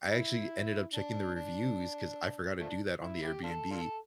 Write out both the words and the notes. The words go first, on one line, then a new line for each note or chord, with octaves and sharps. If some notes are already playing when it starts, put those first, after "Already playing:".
I actually ended up checking the reviews 'cause I forgot to do that on the Airbnb.
E4
D4
D4
F3 A3 D4
E4
E4 G4
D4 F4 A4
D4 F4 A4